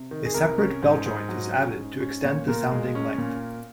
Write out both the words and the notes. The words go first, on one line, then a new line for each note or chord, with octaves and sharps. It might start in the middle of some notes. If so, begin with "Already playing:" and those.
A separate bell joint is added to extend the sounding length.
Already playing: C3
D#3
G#4
C2 A#4
C#4
G#2
G#2
F#3
C#4
G#2
C#4
A#2 C#5
A#2 A#4
G#3
C#4
A#2